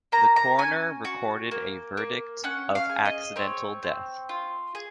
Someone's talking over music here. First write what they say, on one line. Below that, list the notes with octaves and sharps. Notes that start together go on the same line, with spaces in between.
The coroner recorded a verdict of accidental death.
A#3 A#5
A#5
C#4 G#5
F#4
A#3
A#3
C#4 F#5
F5
G#4
D#5
C4 C#5
C4
F4
G#4